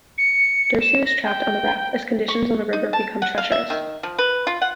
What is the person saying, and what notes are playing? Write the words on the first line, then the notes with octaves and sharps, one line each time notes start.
Dersu is trapped on the raft as conditions on the river become treacherous.
C#7
E7
A#6
G5
C#6
D#4
A5
F#5
F5
E5
D#3
F3
B4
F4
F#5